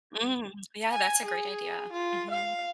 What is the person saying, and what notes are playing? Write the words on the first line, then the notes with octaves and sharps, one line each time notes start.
Mm, yeah, that's a great idea. Mhm.
G#5
G#4
F4
F5